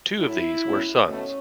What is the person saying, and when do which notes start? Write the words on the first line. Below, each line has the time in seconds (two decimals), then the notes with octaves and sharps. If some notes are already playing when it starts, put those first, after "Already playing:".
Two of these were sons.
0.19 A2 F#3 A3 E4
0.63 F#2 C#3 F#3 B3
1.07 B2 A3 C#4